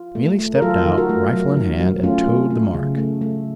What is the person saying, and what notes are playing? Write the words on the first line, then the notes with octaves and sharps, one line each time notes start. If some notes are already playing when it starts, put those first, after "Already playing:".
Mealy stepped out, rifle in hand, and toed the mark.
Already playing: F4
A3
A3
A#4
F#3 F4 A4
D#3
F#4 A#4
A3
F#3
D#3
F#3
A3 C#4 F4
A3
A3
C#3
A3
A3